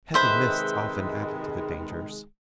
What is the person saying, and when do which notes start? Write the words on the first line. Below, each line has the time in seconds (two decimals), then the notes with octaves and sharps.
Heavy mists often added to the dangers.
0.14 C3 D#3 G#3 B4 C5 E5